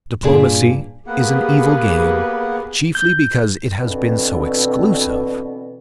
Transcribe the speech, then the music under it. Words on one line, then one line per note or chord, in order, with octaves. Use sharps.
Diplomacy is an evil game, chiefly because it has been so exclusive.
G2 A#2 D4 G#4
A#3 B3 G4 G#4 B4 F#5
G6
B2 D3 E3 C4